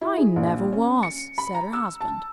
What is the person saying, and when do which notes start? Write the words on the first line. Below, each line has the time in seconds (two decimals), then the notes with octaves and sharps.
"I never was," said her husband.
0.01 E4
0.18 G#4
0.36 A#1
0.72 C#4
1.03 C#7
1.38 B5
1.55 A#5
1.73 E6
2.01 A5